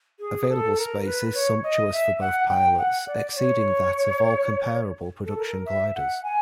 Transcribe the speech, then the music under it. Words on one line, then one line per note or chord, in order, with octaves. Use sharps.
Available space is sumptuous for both pilots, exceeding that of all comparable production gliders.
G#4
G#4
A4
A#4
B4
C#5
D#5
E5
F#5
G5
F#5
D5
C#5
A4
A#4
E5
F#5
G#5